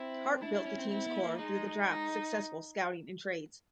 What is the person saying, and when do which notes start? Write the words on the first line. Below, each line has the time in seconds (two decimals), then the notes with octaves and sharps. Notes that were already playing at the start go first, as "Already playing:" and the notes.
Hart built the team's core through the draft, successful scouting and trades.
Already playing: C4 E4
0.41 D4 E4
0.53 D4
0.65 C#4
0.78 C4
0.90 C4 E4
1.06 B3
1.18 A3
1.23 A#3
1.38 G#3 D#4
1.87 D#4